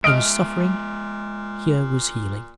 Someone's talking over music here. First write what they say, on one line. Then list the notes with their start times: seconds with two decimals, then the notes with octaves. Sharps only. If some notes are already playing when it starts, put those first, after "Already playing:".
There was suffering; here was healing.
0.04 A#2 G#3 D#5 E5 F6 D7